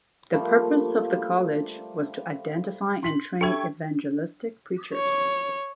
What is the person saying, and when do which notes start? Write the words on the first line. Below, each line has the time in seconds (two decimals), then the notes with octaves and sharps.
The purpose of the college was to identify and train evangelistic preachers.
0.33 F3 G3 A3 A#3
3.03 C6 B6 F#7
3.41 D4 G4 A4 E5 G5 C#6 G#6
4.95 C#5